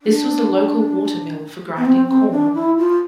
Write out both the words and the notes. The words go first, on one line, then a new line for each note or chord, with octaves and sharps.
This was the local water mill for grinding corn.
D4
B3
C4
C4
D4
E4
F4